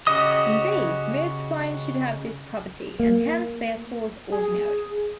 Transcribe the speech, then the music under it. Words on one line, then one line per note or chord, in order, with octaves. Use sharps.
Indeed, most primes should have this property, and hence they are called ordinary.
C#3 F#4 G4 D#5 D#6
A#3
G#4